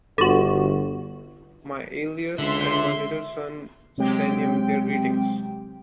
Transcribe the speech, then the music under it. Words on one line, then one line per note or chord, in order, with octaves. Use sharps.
My Aelius and my little son send him their greetings.
G1 D3 F#4
C#2 D3 E5 C6
C3 F#3 G#3 C4 G4 G5